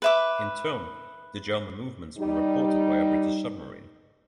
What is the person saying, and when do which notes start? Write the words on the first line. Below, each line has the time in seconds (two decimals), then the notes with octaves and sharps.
In turn, the German movements were reported by a British submarine.
0.02 B4 E5 D6
2.18 G3 D#4